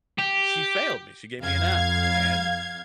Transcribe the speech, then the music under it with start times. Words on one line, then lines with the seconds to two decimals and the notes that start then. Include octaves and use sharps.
She failed me, she gave me an F, and,
0.19 G4
1.40 F2 F5 G#6